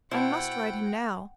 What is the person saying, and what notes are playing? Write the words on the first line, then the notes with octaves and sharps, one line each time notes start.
I must ride him now.
B2 E4 C5 F#5 G5